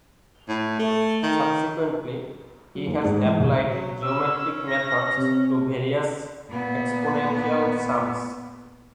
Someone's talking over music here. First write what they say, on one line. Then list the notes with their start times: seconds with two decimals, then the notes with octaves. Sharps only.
Subsequently, he has applied geometric methods to various exponential sums.
0.49 A2
0.79 A3
1.23 D#3
2.75 F#3
2.87 D#2
3.04 G#2
3.25 E3
3.40 C2
3.69 F#3
4.02 C#4 E6
4.67 A#6
5.18 C3
6.50 A#2 B3